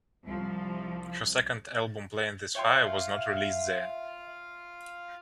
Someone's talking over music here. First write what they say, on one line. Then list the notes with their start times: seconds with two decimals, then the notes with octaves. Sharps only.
Her second album "Playin' With Fire", was not released there.
0.25 C2 F3
2.55 F4 C#5 E5 F5 G5 C6